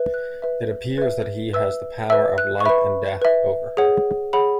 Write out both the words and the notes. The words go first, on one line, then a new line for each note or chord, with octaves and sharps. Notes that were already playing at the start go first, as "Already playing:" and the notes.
It appears that he has the power of life-and-death over her.
Already playing: B4 E5
F#6
B4 E5
B4 E5
B4 E5 E6
B4 E5 E6
F#6
C#6
B4 E5 B5
B4 E5
G#4 C#5 F#5
G#4 C#5 F#5 B5